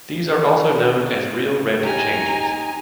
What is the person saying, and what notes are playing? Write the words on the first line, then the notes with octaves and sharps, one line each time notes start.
These are also known as real rent changes.
D#4 G4 G#5 A#5